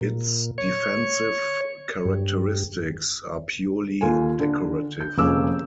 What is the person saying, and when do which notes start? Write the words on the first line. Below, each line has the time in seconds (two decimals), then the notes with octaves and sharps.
Its defensive characteristics are purely decorative.
0.01 A#2
0.58 C#5
2.05 G2
4.01 D#2 F4 A4 G#5
4.39 D3
5.01 G6
5.18 F1 A#3 C#4 G#4 D6 E6